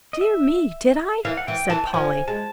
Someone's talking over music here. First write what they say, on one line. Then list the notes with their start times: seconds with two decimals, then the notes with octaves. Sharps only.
"Dear me, did I?" said Polly.
0.13 D#5
0.21 E5
1.25 E3 F5
1.37 F#5
1.47 E3 G5
1.70 E3 A5
1.87 G5
1.93 F3 G#5
2.28 G#3 A5